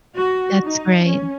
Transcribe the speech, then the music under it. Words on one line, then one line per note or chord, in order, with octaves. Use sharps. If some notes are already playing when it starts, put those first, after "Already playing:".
That's great.
F#4
D#4
C#4